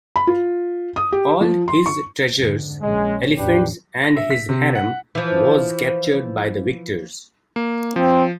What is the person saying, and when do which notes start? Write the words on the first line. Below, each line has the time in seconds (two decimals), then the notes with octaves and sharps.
All his treasures, elephants and his harem was captured by the victors.
0.16 B5
0.27 F4
0.96 D#6
1.12 G4
1.41 F3
1.68 C6
1.86 C#6
2.36 F2 G#2 D3
2.82 A#1 A#2 G#3 C#4
3.37 E2 A2 D4 G4 B4
4.04 A#6
4.16 E5
4.30 B6
4.49 C3
4.75 F#5
5.15 E3 F3
7.56 A#3
7.96 F3 C4